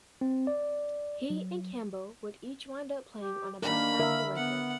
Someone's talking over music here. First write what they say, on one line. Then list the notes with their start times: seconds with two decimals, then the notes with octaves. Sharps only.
He and Campbell would each wind up playing on about half the record.
0.21 C4
0.47 D5
1.30 F#3
3.18 G4
3.62 D#3 G3 A#3 D4 A#4 B5
3.99 D3 A#4 E5
4.36 B3 F#5